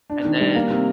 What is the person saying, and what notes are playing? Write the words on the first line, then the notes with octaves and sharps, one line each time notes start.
and then,
D4
D#3
G3
A#3
C3